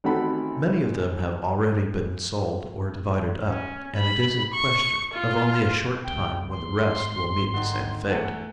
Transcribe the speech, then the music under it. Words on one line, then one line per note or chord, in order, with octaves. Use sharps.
Many of them have already been sold or divided up, and it is a question Of only a short time when the rest will meet the same fate.
A1 D#3 C4 F#4 A4 B5
C#4
B5
C#6
F4
C#2 G5
G#1 C6
D3 D#3
E2 A3 F#5